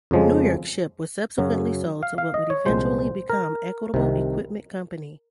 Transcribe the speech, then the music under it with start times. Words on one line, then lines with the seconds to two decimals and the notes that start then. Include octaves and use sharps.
New York Ship was subsequently sold to what would eventually become Equitable Equipment Company.
0.11 F2 C#3 F3 G#3
1.38 F#2 C#3 F#3
2.03 F5
2.18 F5
2.34 D#5
2.50 C#5
2.65 C2 A#2 F3 G#3 C5
3.30 A#4
3.94 C2 C3 D#3